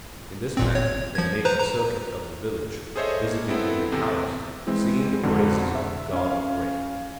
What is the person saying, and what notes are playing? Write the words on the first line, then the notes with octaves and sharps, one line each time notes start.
In this manner, they make a circuit of the village, visiting every house, singing the praises of the god of rain.
G1 A#2 C4
C#5
F3 G#6
B4 C5 A#5
A#5
G#4 A4 C5 C#5 D#5 E5
A#3
B3 C4 E4 A4
E2 C3 C4 A4
E3 G#3 C4 E4
F2 G#2 B2 D3
E5
C#4 F5